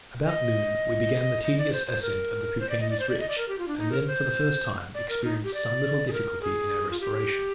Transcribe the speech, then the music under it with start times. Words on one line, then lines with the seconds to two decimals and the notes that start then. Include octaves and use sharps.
About noon we began the tedious ascent of the Peuquenes ridge, and then for the first time experienced some little difficulty in our respiration.
0.26 D#5
1.44 D#5
1.58 D5
1.73 C5
1.87 C5
2.02 A#4
2.60 C5
2.70 D5
2.80 D#5
2.90 D5
3.00 C5
3.09 D5
3.20 D#5
3.29 D5
3.38 A#4
3.48 G4
3.58 F4
3.68 D4
3.78 D#4
3.92 A#4
4.07 C5
4.94 D5
5.09 A#4
5.24 D#4
5.44 G4
5.54 D5
6.08 G#4
6.13 A#4
6.42 G#4
6.90 F4
7.00 G4